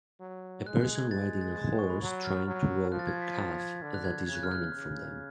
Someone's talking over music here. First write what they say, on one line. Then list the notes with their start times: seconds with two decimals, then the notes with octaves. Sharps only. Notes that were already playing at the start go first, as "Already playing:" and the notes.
A person riding a horse trying to rope a calf that is running from them.
0.20 F#3
0.66 G#3 F#6
0.81 F#6
0.95 G#6
1.11 G#3 A6
1.26 A6
1.41 A6
1.56 A6
1.68 G#6
1.79 C#6
1.90 B5
2.01 F#3 C#6
2.24 F6
2.47 F#3
2.91 F3 F#6
2.99 A6
3.07 G#6
3.22 B6
3.37 A6
3.60 G#6
3.82 D3
3.94 F#6
4.04 G#6
4.27 C#3 G#6
4.35 F#6
4.43 F6
4.51 F#6
4.72 C#3